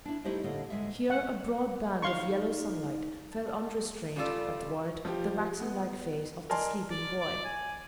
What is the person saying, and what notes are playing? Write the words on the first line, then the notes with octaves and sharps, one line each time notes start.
Here a broad band of yellow sunlight fell unrestrained athwart the waxen-like face of the sleeping boy.
D4 E4
A3 D#4 E4 G4 C5 D#5
A2 D3 A#3 D#5
D2 G#3 E5
F#5
D#4 F5 C6 C#6
A5
C#3 G3 F4 A4 D5
F3 G4
B3
A#4 D5 D#5 G#5 A5 C6
D5
D5
G#5